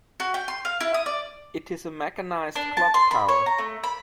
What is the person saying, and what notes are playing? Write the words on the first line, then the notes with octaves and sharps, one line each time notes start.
It is a mechanized clock tower.
F#4
G5
C6
F5
E4
D#6
D5
D4
A5
C6
B5
C#5
A#5
A3
B5